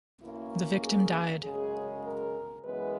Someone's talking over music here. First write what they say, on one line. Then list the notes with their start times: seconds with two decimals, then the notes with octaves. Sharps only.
The victim died.
0.22 B2 A#3 C#4 E4
0.83 G#4
1.43 F#2 C#3 G#3 G#4
2.05 A#4
2.65 F#2 E3 G#3 B3 B4